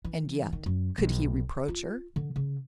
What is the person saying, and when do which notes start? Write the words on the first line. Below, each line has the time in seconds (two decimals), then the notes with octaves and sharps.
And yet, could he reproach her?
0.05 E3
0.53 D#3
0.66 F#2
0.98 B1
1.68 F4
2.16 D3
2.36 C#3